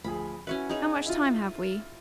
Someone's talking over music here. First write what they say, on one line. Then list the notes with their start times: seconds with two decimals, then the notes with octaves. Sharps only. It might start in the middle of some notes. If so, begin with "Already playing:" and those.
"How much time have we?"
0.04 D2 F3 G#4 B5
0.47 C#4 E4 F#4 B4
0.69 D#4 G#4 C#5
1.06 E4 F4